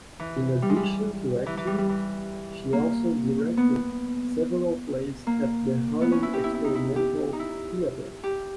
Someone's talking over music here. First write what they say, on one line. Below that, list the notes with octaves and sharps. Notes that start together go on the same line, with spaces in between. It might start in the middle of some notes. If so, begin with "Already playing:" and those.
In addition to acting, she also directed several plays at the Harlem Experimental Theatre.
E3
G3
G#3
G3
E3
E3
G3
G3
E3
A#3
B3
A#3
B3
C#4
E4
G4
E4
E4
D#4
E4
G4
D#4
E4
G4